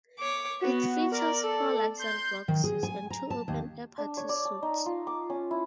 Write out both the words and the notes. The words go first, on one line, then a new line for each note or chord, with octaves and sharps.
It features four luxury boxes and two open-air party suites.
C#5 D6
B3 F#4
A#4 D5
A4
C6 G6
D#3
G#4
G#5
A#5
A5
D#2
D4
C#5
D5
A5
D#4
F4
D6
C#4
E4